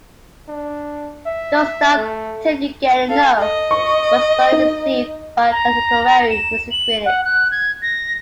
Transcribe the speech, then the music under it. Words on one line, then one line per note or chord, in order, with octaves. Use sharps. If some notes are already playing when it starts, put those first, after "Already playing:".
"Don't Stop 'Til You Get Enough" was well received by contemporary music critics.
D4
E5
A3
A4 F5
D#5
C#6
D#4
A#5
E7
F#7
F#5
F#6
G#6
A#6